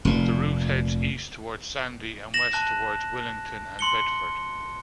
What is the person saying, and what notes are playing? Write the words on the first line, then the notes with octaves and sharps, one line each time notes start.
The route heads east towards Sandy and west towards Willington and Bedford.
F1 A#2
A#6 E7 F#7
A5 F#6
C6 C#7 G7